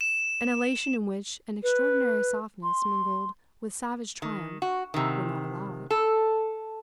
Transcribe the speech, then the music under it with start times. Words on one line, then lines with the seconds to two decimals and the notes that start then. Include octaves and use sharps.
An elation in which an extraordinary softness mingled with savage triumph would not allow it.
0.01 E7
1.63 B4
2.63 C6
4.22 D#3
4.62 F#4
4.94 C3 D#3
5.90 A4